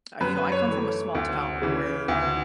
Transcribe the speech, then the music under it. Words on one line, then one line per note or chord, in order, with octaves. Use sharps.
uh, you know, I come from a small town where,
F#2 B4
C#5
E3 A3
D2
C#3 E3
D2